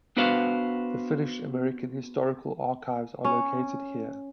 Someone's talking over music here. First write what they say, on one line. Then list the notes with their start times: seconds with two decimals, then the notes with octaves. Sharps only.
The Finnish American Historical Archives are located here.
0.17 B3 D4 F#4 B4 C5 F5
3.25 C#4